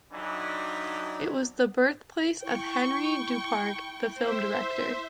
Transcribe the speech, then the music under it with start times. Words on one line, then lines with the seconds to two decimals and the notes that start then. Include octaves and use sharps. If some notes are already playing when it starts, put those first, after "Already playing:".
It was the birthplace of Henri Duparc, the film director.
0.12 G2 D3 E3 F#3 D4 D#4
2.43 E4 G5 C#6
4.15 C5 E5